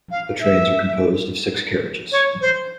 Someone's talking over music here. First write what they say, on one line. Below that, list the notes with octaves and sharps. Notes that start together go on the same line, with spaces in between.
The trains are composed of six carriages.
F5
E5
C#5
C5